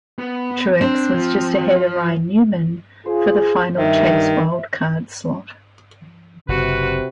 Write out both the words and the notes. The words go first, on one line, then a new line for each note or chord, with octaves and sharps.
Truex was just ahead of Ryan Newman for the final Chase wildcard slot.
B3
C4 D4
F3
F4 G#4 C5
G2 D#3 E5
F#1 C3 F#4 B4